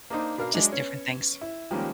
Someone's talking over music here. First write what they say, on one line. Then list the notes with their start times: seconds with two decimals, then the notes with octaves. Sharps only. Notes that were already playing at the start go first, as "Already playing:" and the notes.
just different things.
0.10 A#3 D4 D#4 C5
0.38 B2 D4 A#4 F5
0.54 F#3 G#3 D4 D#5 E5
0.72 B3 C#4 C#5
1.41 E4
1.71 D#3 F3 G3 G#3 A#3 C#4